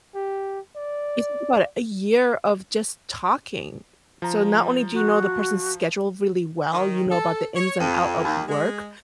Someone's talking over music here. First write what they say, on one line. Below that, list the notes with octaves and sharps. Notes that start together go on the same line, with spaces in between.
You think about it, a year of just talking. So not only do you know the person's schedule really well, you know about the ins and out of work,
G4
D5
F3 A#5
F#4
D#3
A4
C#5
F2
D#2
G#3